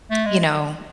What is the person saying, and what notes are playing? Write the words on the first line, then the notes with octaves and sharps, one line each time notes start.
you know,
A3
G#3